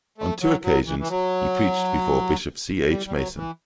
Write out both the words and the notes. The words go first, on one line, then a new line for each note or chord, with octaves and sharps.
On two occasions, he preached before Bishop C. H. Mason.
A3
F#3
F#3
E3
E3
F#3
G3
G3
F#3
E3